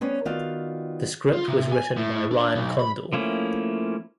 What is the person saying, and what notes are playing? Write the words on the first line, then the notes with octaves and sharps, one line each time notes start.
The script was written by Ryan Condal.
G3 B3 C#4 C5 C#5
D#3 B3 F4 F#4 D5 F5
F4
C3
G#5
A2
D4
B1
B5
F3 A3 A#3 C#4 E4